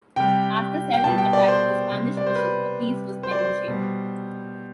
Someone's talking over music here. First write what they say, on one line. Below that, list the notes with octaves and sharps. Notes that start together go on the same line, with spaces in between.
After several attacks on the Spanish mission, a peace was negotiated.
C3 G3 G5
G5
B2 G3 A5
G5
D5
C5
C3 G3
D5
C5
B4
C3 G3
C5
D5
C5
B2 G3